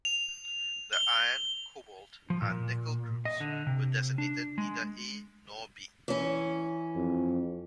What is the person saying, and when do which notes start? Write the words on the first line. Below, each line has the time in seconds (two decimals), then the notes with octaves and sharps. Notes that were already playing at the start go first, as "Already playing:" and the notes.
The iron, cobalt, and nickel groups were designated neither A nor B.
0.05 F7
0.93 G7
2.30 F3
2.42 A#2
3.25 D#5
3.40 D3
3.67 C3
4.18 D4
4.58 G#3
6.08 E3 C#4
6.95 F2